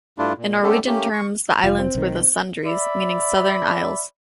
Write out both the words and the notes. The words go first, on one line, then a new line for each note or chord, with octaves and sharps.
In Norwegian terms, the islands were the "Sudreys", meaning Southern Isles.
G2 A3 D4 E4 F4
A#2
G3 A3 B3 C#4 G4 A4
A3 A#3 C#4 G4
C#6
F1 F4
C4
B1 D#3
D5 E5 B5